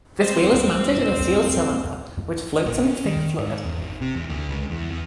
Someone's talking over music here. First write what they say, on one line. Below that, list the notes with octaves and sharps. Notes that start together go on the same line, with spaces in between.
This wheel is mounted in a sealed cylinder, which floats in a thick fluid.
C4 C5
A#1
C#4
D#3
G#2
E2
G#1
C3
E2
D2
C#2
E2
E2